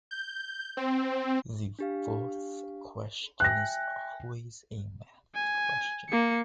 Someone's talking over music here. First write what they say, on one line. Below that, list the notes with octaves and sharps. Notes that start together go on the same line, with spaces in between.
The fourth question is always a math question.
G6
C4
D4 G4 F5
E5 G5 G#5 F#6 A#6
G#5
A#3 C#7